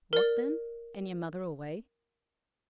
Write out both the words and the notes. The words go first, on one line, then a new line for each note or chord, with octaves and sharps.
'What then? and yo'r mother away.
A#4 D5